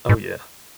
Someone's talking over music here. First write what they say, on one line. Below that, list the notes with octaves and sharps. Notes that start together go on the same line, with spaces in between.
Oh, yeah.
G#2